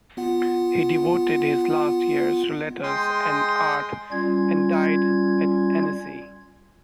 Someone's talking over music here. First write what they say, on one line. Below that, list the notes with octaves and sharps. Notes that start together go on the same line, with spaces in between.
He devoted his last years to letters and art, and died at Annecy.
B3 F4 F#5
G#3 G5 C6 D#6
G3 C#4 F4 G#6